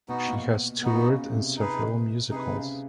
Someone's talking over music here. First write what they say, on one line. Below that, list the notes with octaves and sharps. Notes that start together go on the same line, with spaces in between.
She has toured in several musicals.
B2 B3 D#4 F#4
A#2
B2 B3 D#4 F#4
C#3
C3
D#4 G#4 B4
C3 D#4 G#4 B4
C#3